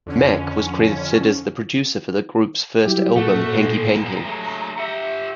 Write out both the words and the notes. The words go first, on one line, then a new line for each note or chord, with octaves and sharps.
Mack was credited as the producer for the group's first album, "Hanky Panky".
F2 D3 C#4
F#3 G3 E4 G4
A#2 A3 F#4 A4
G#3 C4
B3 A#5
F#3 G#3 A3
G4 E5 F#5